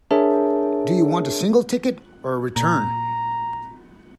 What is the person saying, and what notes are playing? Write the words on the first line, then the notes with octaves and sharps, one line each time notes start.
Do you want a single ticket, or a return?
D4 G#4 A#4 C#5 E5 A5
A#2 A#5